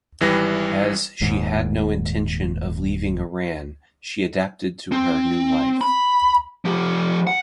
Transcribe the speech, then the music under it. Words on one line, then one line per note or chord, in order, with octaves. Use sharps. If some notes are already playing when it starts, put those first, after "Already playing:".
As she had no intention of leaving Iran, she adapted to her new life.
G#1 E3 G3 B4 A#6
D#1 D#2 G#2
C4
B5
F3 G4
F#5